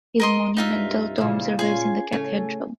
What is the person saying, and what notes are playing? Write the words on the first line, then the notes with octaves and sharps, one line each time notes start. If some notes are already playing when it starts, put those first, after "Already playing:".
His monumental tomb survives in the cathedral.
A#4 D#5 C6
C2 G2 D#4 F4 E5
G2 A#2 C#3 F3 E4
C#4 F4 G#4 G#5
A2 C#3 A3 C#4